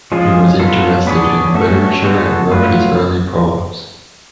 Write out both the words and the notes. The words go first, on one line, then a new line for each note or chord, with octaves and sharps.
He was interested in literature and wrote his early poems.
F3 G#3 C#4 F4 G#4
F#3 B3 F4 A4
B3 D4 G#4 C#5
A3 C#4 F#4 A4
G#3 B3 F#4 A4
F#3 A3 F4 B4